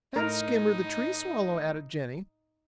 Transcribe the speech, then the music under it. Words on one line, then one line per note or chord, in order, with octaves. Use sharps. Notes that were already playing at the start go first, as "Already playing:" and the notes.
"And Skimmer the Tree Swallow," added Jenny.
A2 D#4 A#4 D#5